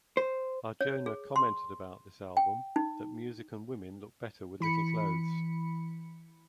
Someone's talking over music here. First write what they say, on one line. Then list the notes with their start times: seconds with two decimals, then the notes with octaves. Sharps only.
Arjona commented about this album that music and women look better with little clothes.
0.17 C5
0.81 C#5
1.06 G#4
1.36 C6
2.37 G5
2.76 D#4
4.60 E3 B5 C#7